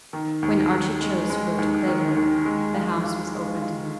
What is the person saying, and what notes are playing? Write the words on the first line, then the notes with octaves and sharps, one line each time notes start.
When Archie chose to go to Clavering, the house was open to him.
D#3
D#2
D#2
G#3
G#3
D#2
D#3
D#2
G#3
F4
F4
G#3
F4